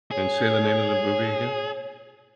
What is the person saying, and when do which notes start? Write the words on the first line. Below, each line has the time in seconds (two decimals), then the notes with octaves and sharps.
And say the name of the movie again.
0.11 G#4 C#5